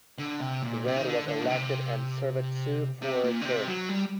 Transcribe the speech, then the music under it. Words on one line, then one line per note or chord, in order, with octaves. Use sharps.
Grant was elected and served two four-year terms.
D3
C3
A#2
C3
D#3
D3
D3
A#2
C3
C3
A#2
D3
C3
F#3
G3